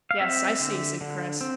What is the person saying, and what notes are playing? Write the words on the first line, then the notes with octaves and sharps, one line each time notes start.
"Yes, I see," said Chris.
F5
C4 E5
D3
D3
C4